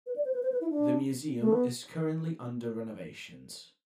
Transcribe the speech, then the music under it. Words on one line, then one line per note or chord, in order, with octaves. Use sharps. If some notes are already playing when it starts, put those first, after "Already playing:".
The museum is currently under renovations.
B4
D5
C5
B4
C5
B4
E4
D4
A3
B3